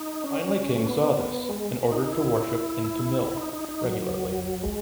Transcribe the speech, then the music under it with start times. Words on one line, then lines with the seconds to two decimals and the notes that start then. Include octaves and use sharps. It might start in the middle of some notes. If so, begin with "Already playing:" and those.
Finally king saw this and ordered to worship in Tamil regularly.
Already playing: D#4
0.24 C#4
0.76 A3
0.87 B3
1.18 B3
1.49 G#3
1.91 D#4
2.12 E4
3.31 E4
3.37 D#4
3.53 D#4
3.69 D#4
3.84 F#3
4.63 G#3